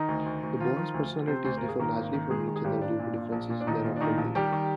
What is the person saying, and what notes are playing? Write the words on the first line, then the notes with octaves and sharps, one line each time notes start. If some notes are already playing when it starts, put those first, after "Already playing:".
The boys' personalities differ largely from each other due to differences in their upbringing.
Already playing: D#3 D#4
D2
D2
D2
D#3 F3 F4
D#3
D2
D2
C3 C4 C5
D2 C5
G#1 A#4
G#4
D#3 A#3 A#4
G#1
D#3
D#3 G#3 G#4
D#3
G#4
G#1 G3 G4
G#1 D4
A#2
A#2
A#1
A#2
D4
A#1 D#3 D#4
A#2
D4
A#2 D#3 D#4
A#1
D#3 G3 G4
D#3